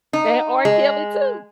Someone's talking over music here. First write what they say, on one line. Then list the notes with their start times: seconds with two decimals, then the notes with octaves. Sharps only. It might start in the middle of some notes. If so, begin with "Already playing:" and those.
And R. Kelly too.
0.13 D#4
0.65 G#3